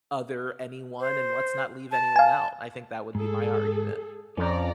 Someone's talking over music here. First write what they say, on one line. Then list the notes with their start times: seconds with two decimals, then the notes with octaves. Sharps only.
other anyone, and let's not leave anyone out. I think that would be my argument.
1.00 C5
1.92 A5
2.16 F5 G#5
3.15 G#2 G#4 A4
4.37 F2 C#4 D5 A#5